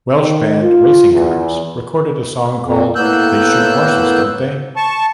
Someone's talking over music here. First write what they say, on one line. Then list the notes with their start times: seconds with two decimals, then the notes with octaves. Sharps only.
Welsh band Racing Cars recorded a song called They Shoot Horses Don't They?
0.16 D#3
0.62 F4
1.12 E2
2.63 F2
2.95 A2 A#3 B3 E6 F#6 G6
4.76 A5 C#6